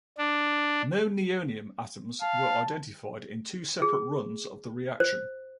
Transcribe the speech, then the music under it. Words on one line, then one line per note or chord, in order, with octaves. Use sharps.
No nihonium atoms were identified in two separate runs of the reaction.
D4
F5 A5
G#4
C5